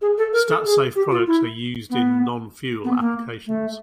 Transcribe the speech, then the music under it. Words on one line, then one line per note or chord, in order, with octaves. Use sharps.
Statsafe products are used in non-fuel applications.
G#4
A4
A#4
A4
G#4
G4
F4
E4
B3
B3
A#3
A3